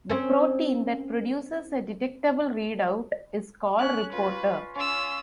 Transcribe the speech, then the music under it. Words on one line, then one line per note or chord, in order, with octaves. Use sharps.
The protein that produces a detectable readout is called "reporter".
C4 C#4
C#4 F#6
F4 B4
C#4 F4 E6